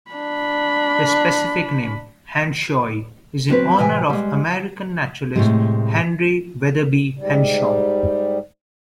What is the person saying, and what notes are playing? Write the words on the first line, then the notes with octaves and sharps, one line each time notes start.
The specific name, "henshawi", is in honor of American naturalist Henry Wetherbee Henshaw.
D4 B5
D2 F#3 C4 B4
A2 C3 E3 E5 G5 G#5
G3 G#3
A2 C3 G#3
G#2 G3